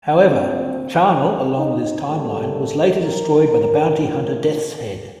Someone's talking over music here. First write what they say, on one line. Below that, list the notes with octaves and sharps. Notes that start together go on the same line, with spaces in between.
However, Charnel along with his timeline was later destroyed by the bounty-hunter Death's Head.
D2 D3 F3 A#3 C4
D#4
A2 G3 A#3 A4
A#4
A#4
A#2 F3 A3 A#4
A4